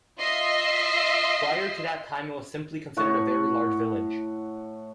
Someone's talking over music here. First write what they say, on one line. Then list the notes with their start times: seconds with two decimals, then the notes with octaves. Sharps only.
Prior to that time it was simply considered a very large village.
0.19 F4 D#5 E5 C7
2.97 A2 F#5 C#6